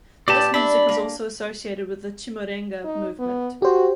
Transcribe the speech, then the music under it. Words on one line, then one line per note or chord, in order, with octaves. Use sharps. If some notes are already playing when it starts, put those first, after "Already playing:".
This music is also associated with the Chimurenga movement.
A#2 G4 B4 D5 A5
D4 E5 B5
A#3
D#4
B3
F#4 G4 C5